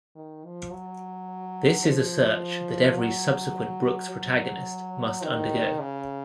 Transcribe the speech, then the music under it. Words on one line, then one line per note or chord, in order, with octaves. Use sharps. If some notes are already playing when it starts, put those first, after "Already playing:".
This is a search that every subsequent Brooks protagonist must undergo.
D#3
F3
F#3
F3
F#3
F#3
D#3
C#3